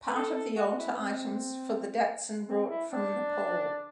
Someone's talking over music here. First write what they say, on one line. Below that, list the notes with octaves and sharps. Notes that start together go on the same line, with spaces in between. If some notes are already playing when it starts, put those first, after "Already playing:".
Part of the altar items for the datsan brought from Nepal.
B4
A4
A4
F#4
F#4
E4
B3
C4
C4
E4
D4